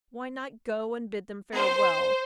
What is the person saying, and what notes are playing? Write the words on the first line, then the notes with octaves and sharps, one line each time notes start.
Why not go and bid them farewell?
C5